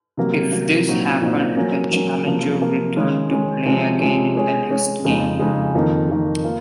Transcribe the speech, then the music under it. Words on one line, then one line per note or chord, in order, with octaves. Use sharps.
If this happened, the challenger returned to play again in the next game.
C3 F#3 A#3
C3 F#3 A#3
A#2 F#3 C4 D#4 F#4
A#2 F#3 C4 D#4 F#4
F#3 A#3 C#4
F#3 A#3 C#4
C3 F3 A#3
C3 F3 A#3
D#3 G#3 C#4
D#3 G#3 C#4
C3 F3 G#3 C#4
C3 F3 G#3 C#4
G#3 C#4 G#4 C#5
G#3 C#4 G#4 C#5
F2 C#3 G#3 D#4 G#4
F2 C#3 G#3 D#4 G#4
F2 D#3 A#3 D#4
F2 D#3 A#3 D#4
A#3 F4